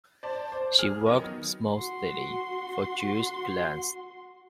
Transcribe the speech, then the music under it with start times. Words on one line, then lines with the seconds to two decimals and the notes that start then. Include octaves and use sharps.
She worked mostly for Jewish clients.
0.23 C5 D5 A5
0.52 C5 D6
0.79 G#4 F6
1.06 D#3 F#3 B3
1.75 F#4 C6